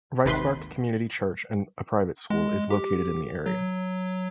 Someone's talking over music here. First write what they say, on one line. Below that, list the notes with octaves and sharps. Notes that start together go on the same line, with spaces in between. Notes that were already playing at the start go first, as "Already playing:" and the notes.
Rispark Community Church and a private school is located in the area.
G#1 D#2 C3 B4 C6 B6
G#3
G4
F#3